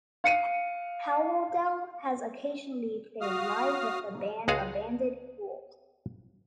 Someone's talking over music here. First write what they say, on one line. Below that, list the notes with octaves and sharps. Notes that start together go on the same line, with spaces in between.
Howerdel has occasionally played live with the band Abandoned Pools.
F5 C#7 D#7
F#4 F5 D#6 F6
C#2 G#3 F#4 G#4 F5